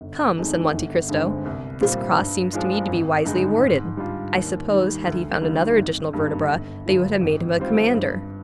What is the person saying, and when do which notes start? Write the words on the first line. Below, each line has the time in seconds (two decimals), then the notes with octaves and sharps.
"Come," said Monte Cristo, "this cross seems to me to be wisely awarded. I suppose, had he found another additional vertebra, they would have made him a commander."
0.01 G1
0.37 F2 D#3 G#3 D#4
0.73 G1
1.09 G2 D3 G#3 C4
1.45 C2
1.81 A#2 G3 C4 F4
2.17 G2
2.53 F3 G#3 D4 F4
2.89 G#1
3.25 G2 D3 G#3 D#4
3.61 G#2
3.97 G3 D4 F4
4.33 D#2
4.69 D#3 G3
5.06 D2
5.42 D3 G3 A#3 D#4
5.77 G#1
6.13 G2 D#3 G3 A#3
6.49 G1
6.86 G2 D3 F3
7.21 G#1
7.57 G#2 G3 C4 F4
7.94 G2